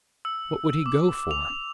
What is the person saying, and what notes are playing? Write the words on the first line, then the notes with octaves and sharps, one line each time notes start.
"What would he go for?"
E6
D6
F7